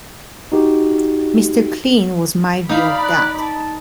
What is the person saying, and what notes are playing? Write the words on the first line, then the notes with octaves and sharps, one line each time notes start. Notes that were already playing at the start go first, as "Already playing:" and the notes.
'Mr Clean' was my view of that.
D#4 F#4 G4
D#4 D5 F5 B5
F#6
A5